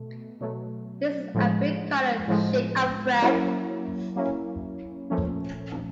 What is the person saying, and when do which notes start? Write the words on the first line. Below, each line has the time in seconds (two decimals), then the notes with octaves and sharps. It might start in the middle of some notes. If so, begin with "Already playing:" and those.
This is a brick-colored shade of red.
Already playing: B2 A3
0.41 B2 F#3 A3
1.34 A2 F3 G#3
2.28 A2 F3 G#3
3.22 F#3 A#3 C#4 E4
4.16 F#3 A#3 C#4 E4
5.10 A#2 F3 A3 C#4